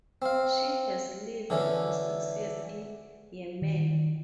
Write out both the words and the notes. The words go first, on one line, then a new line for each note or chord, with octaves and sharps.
She has lived for six years in Yemen.
C4 F5
D3 E3 C#4
D#3